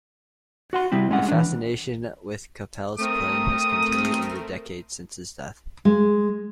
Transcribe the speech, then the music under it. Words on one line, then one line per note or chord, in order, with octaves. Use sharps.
The fascination with Kapell's playing has continued in the decades since his death.
F#4 F#5 C6
C3 G3 C4 E4
G#3 C#4 F#5
E3 D4
A3 C4 A#4 D#6
G#3